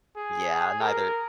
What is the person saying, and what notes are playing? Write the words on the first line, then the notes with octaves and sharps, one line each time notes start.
Yeah, neither
G#4
A#4